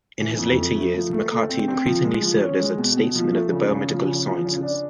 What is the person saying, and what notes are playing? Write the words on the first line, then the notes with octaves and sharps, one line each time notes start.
In his later years, McCarty increasingly served as a statesman of the biomedical sciences.
E3
F2
A3
A3
F3
A3
A3
C4
C4
F3
G#3
F3
C#4
G#3
B2
B2
F3
A3
C#3
C#3
F3
C#3
F3
C#3
D4